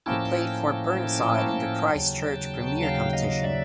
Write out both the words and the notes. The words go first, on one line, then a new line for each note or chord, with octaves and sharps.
He played for Burnside in the Christchurch premier competition.
A2 F3 A#3 C#4 E4 G5 A5
D#2 C#3 F#3
F5 G5
D#5 F5
D5 E5